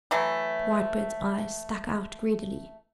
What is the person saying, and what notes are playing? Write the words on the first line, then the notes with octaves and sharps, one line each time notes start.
Whitebird's eyes stuck out greedily.
E3 F#3 A3